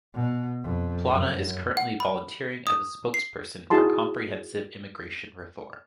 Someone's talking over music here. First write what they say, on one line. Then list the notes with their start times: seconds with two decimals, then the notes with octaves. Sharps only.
Plana is currently volunteering as a spokesperson for Comprehensive Immigration Reform.
0.14 B2
0.63 F2
1.09 F#2
1.77 F#5
2.00 B5
2.67 D#6
3.14 C7
3.70 D#4 E4 F#4 G#4 A5 C6